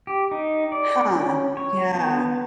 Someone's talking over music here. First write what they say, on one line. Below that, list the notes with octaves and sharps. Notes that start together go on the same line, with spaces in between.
Huh. Yeah.
G4
D#4
D5
C#4
C#5
B3